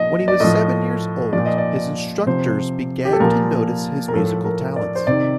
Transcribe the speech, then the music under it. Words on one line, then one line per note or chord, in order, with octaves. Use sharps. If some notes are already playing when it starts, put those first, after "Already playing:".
When he was seven years old, his instructors began to notice his musical talents.
Already playing: A#2 F3 D#5
D5
A2 F3 D#5
A#2 F3 D5
D#5
D5
C3 F3 C5
G4
A4
A#2 F3 A#4
A#4
A2 F3 A4
A#4
D5
C5
C3 D#3 D5